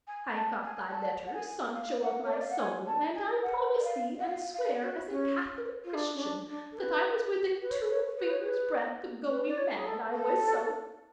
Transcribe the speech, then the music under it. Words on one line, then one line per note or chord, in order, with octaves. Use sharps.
I got thy letter, Sancho of my soul, and I promise thee and swear as a Catholic Christian that I was within two fingers' breadth of going mad I was so happy.
G#5
A5
G#5
A5
F#5
G#5
F5
F#5
C#5
D5
F5
F#5
G#5
A5
G#5
F#5
D5
F5
F#5
F5
F5
F#4
C#4
F4
D4
C#4
D4
D4
A4
B4
B4
C#5
B4
C#5
B4
C#5
B4
B4
D5
C#5
G#4
A4
A4